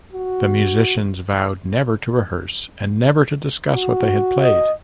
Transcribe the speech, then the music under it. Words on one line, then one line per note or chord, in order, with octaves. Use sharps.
The musicians vowed never to rehearse and never to discuss what they had played.
F#4
F#4
D#5